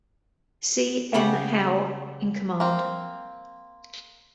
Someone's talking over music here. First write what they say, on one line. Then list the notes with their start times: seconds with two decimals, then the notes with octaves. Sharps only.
C. M. Howe in command.
1.14 C#3 B3 G4 F#5
2.60 A#3 C4